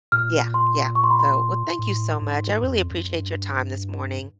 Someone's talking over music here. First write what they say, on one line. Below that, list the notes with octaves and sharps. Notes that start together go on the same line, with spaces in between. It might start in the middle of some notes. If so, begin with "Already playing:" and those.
Yeah, yeah. So, well, thank you so much, I really appreciate your time this morning.
A#2 F6
C6
C#6
C6
B5
C6
A2
G#2
F2
F#2
G2